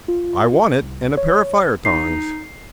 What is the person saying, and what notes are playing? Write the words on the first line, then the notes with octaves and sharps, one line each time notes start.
"I want it, and a pair of fire-tongs."
F4
C2
C#5
D#4 C7